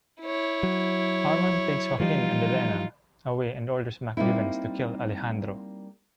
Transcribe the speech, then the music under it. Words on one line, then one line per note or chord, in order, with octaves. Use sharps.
Armand takes Joaquin and Elena away and orders McGivens to kill Alejandro.
E4 C#5
F#3
E3 F3 G3 D#4 F4
G3 A#3 C4 D#4 E4